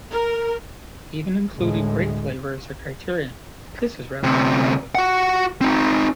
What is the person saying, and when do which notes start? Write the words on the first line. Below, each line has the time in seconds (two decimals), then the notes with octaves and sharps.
He even included grape flavour as a criterion, but this is rather subjective.
0.12 A#4
1.56 D2 A2 G#3
4.24 D2 C3
4.95 F#4 F#5
5.61 C4 D#4